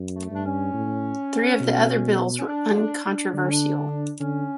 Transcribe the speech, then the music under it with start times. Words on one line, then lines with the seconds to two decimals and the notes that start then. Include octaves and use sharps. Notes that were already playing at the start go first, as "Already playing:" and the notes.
Three of the other bills were uncontroversial.
Already playing: F#2
0.16 A3
0.31 G2 D4
0.45 C#4
0.74 A2
1.60 B2
2.39 C#4
2.47 D4
2.76 D4
3.05 D4
3.33 D3 D4
3.42 C#4
3.50 D4
4.20 D3 C#4